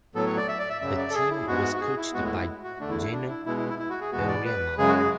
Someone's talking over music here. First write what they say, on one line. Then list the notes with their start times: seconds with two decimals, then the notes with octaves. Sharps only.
The team was coached by Geno Auriemma.
0.15 A2 F#3 B3 A4
0.26 C#5
0.37 D5
0.48 E5
0.59 D5
0.70 E5
0.81 F#2 C#3 F#3 E5
0.98 D5
1.10 A4
1.14 G#4
1.30 E4
1.47 G#2 G#3 B3 F#4
1.75 F#4
1.80 G#4
1.97 E4
2.13 A2 G#3 B3 F#4
2.25 E4
2.36 E4
2.63 F#4
2.80 E2 D3 A3 D4
2.90 E4
3.02 E4
3.13 D4
3.29 E4
3.46 B2 G#3 B3 E4
3.57 E4
3.68 E4
3.79 E4
3.90 F#4
4.01 G#4
4.12 E2 B2 G#3 B3 F#4
4.29 D5
4.45 B4
4.78 F#2 C#3 G#3 G#4
4.89 F#4
4.95 G#4